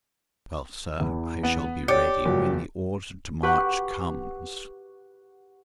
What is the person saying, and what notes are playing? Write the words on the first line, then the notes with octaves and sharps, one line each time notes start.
"Well, sir, I shall be ready when the order to march comes."
E2 E3
B3 F#5
G4 C#5 D5 A6 C#7
F#1 F3 F#3 F#4
G4 B4 F#5 C#6 D6 F#6